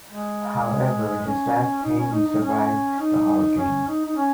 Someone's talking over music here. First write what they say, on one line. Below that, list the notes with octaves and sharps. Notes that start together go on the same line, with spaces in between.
However, his last painting survived the hurricane.
G#3
C#4
D#4
C#4
D#4
D#4
C#4
D#4
C#4
D#4
D#4
C#4